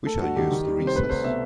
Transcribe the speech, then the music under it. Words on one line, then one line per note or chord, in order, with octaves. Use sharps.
We shall use the recess.
A3 A4
G2 F#4
D#3 G4
D#3
G3
C3
C5
A3 B4
C2 C5
B2 E5